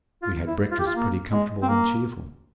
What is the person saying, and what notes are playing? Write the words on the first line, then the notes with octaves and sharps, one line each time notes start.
We had breakfast pretty comfortable and cheerful.
F4
E4
F4
G4
F4
A#3
G#3
C4
A#3